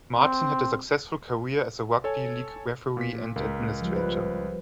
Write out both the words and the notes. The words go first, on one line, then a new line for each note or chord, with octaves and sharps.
Martin had a successful career as a rugby league referee and administrator.
C4
A4 C#5 G#5
A#2 B6
C#2 A#4
F3 G3
B4